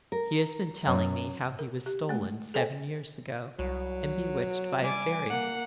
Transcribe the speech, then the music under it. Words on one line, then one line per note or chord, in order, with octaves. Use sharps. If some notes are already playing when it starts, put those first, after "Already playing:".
He has been telling me how he was stolen seven years ago, and bewitched by a fairy.'
A#4
F#2
A#4
G4
G#3 A3
G#4 A4 C5 C#5 G5 G#5
C2 F#3
G3 G#5 D6
A#3 F#5